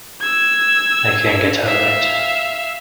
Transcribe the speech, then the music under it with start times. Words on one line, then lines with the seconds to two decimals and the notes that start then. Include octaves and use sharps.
I can’t get over it.
0.21 E6 G#6
1.65 E5 F5